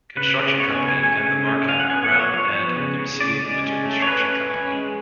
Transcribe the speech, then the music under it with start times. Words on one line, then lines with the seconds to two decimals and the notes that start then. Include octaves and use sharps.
Construction Company and the Markham, Brown and M. C. Winter Construction Company.
0.17 C#3 B4
0.38 C#3
0.60 B3 C#5
0.74 G#5
0.82 C#3
0.89 G#5
1.03 A3 G#5
1.25 C#3
1.47 C#4
1.68 C#4 F5
1.80 F#5
1.89 B3 G#5
2.04 F#5
2.12 F3
2.19 C#5
2.33 F3 C#5
2.55 B3
2.76 C#3
2.99 C#3
3.20 C#3 D5
3.42 G#3
3.64 C#4
3.85 A3
4.02 C#5
4.07 C#4 B4
4.28 C#4
4.50 C#4
4.72 G#3